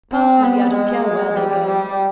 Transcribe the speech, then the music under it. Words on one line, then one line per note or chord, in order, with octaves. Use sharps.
Personally, I don't care where they go.
C4
B3
G#3
G3
G3